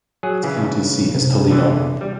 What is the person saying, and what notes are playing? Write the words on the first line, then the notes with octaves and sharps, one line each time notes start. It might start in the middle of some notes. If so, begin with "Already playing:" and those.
Its county seat is Toledo.
F#3 G#4
C#3 E3
C3
E2 D3 E3
G3